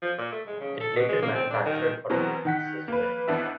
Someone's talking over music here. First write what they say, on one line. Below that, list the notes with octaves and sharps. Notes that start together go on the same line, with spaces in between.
It later manufactured automobiles as well.
F3
A#2
A3
G#3
C#3
A4
B2
G#3
A#3
C4
D4
D#3
B2 E3 F#3 B3 C4 A#4
D#3 F#5 B6
A#3 B4
G#1 B3 D4 E4 E5